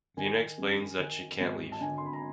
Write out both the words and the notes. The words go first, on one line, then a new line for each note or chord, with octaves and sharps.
Vina explains that she can't leave.
D#3 G#5
F#2
D#3
G#1
A5
D3 G#5
C6
B5
A#5